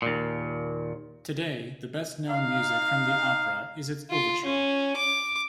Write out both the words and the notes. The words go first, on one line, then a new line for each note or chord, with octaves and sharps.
Today, the best-known music from the opera is its overture.
D#2 A#2
D#4 F5
F4
C#4
D6